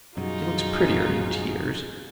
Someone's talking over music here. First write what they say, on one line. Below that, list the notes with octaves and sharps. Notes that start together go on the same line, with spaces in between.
She looks prettier in tears.'
F#2 B2 G3 D#4 F4 F#4 G#4